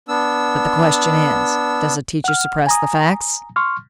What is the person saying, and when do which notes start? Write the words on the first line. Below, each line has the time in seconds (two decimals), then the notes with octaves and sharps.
But the question is, does a teacher suppress the facts?
0.08 B3 D4 E6
2.24 F#5 F6
2.67 G#5 A#5 D#6
3.56 C6 C#6 F6